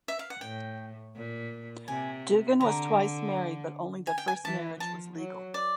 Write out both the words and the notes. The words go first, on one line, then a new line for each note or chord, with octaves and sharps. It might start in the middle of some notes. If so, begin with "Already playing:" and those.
Doogan was twice married, but only the first marriage was legal.
E5
F5
F#5
A2 G5
A#2
C3 G#5
D3 A#5
G#5
G5
G#5
E3 A5
F3 A5
F#3
D5